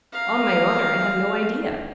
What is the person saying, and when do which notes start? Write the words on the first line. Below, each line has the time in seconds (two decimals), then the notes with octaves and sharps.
"On my honor, I have no idea."
0.12 F5 A#5